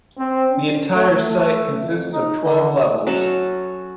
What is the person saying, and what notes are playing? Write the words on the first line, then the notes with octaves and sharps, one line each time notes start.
The entire site consists of twelve levels.
C4
C#4
A3
A3
F2
D#4
D3
F#3 C#4 A4 A5